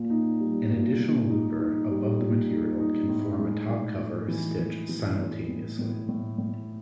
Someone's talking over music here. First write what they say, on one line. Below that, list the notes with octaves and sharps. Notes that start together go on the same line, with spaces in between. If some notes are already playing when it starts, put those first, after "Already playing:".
An additional looper above the material can form a top cover stitch simultaneously.
Already playing: A#2 A#3
D#4
G3
A#2
A#2
D#4
D#4
G3
A#2
D#4
D#4
A2
G#3
G#3
A2
E3
E3
E3
A2
A2
A2
A2
A2